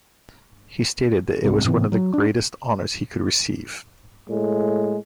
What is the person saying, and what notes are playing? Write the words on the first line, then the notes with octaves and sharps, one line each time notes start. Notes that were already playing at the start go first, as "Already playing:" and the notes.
He stated that it was one of the greatest honours he could receive.
C2 G#2 C3
G#2 C3 E3 B3
F#3
D4
A2 G#3